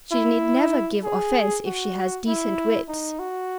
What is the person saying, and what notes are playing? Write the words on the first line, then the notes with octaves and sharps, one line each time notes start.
She need never give offence if she has decent wits.
E4
G#4
F#4
E4
D#4
F#4